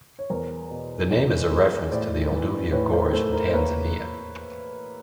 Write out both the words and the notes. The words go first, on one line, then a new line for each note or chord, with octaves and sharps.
The name is a reference to the Olduvai Gorge in Tanzania.
C#5
E2 A#4 C5
B2
E2 B4 C#5
G#3
A2 C5 D5
E3
A2 B4 C#5
A#4 C5
A3 A#4 C5
A#4 C5
C5
A#3 B4 C#5